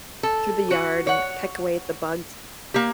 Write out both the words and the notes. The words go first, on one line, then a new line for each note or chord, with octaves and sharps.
through the yard and peck away at the bugs
A4
F#4
C#5 F#5
A#3 G4